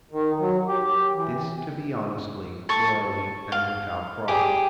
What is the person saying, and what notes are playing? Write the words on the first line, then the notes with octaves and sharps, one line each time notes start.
This to be honestly, loyally, and without fraud.
D#3
F#3
G4
E3
A4 C#6
F5
G4 G#4 D6